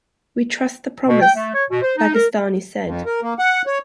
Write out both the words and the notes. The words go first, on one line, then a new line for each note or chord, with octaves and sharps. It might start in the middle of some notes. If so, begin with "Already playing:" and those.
"We trust the promise," Bagistani said.
B2
G5
A3
C#5
B2
C5
D#4
A#4
F2
A#4
A#3
F#5
C#5